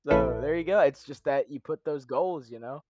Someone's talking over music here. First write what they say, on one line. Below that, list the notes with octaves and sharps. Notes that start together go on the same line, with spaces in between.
So there you go. It's just that you put those goals, you know.
A#1 E4 A4 B4